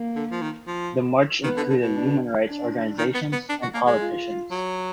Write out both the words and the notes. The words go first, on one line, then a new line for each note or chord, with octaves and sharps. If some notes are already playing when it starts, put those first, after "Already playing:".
The march included human rights organisations and politicians.
Already playing: A#3
D3
F3
D#3
F3
D#3 B3
D3
D3
B2
D4
D4
D#3
B3
B3
D4
F#4
A#3
G#3
F4
F#3